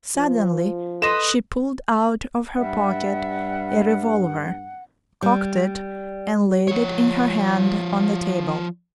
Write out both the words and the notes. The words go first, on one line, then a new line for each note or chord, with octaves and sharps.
Suddenly she pulled out of her pocket a revolver, cocked it and laid it in her hand on the table.
F3
A4 B4 D#5 C6 A#6 E7
G2 G3 E5 F#5
G3
F3 C#5